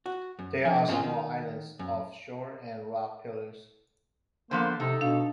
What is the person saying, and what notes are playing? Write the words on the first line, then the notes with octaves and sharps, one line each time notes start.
There are small islands off shore and rock pillars.
F#4
F#2
D3 F3 G#5
G#2 C#3 G#3 A#3 C4 F4
D#3
F#2
D3 F3 A#3 B3 C5
C3 D#4 A4
B2 D4 F5